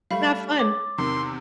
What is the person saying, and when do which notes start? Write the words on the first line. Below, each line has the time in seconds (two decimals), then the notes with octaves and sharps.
Not fun.
0.11 G3 A3 F5 B5
0.59 C#5 D6 A6
0.98 E2 C3 D#3 C6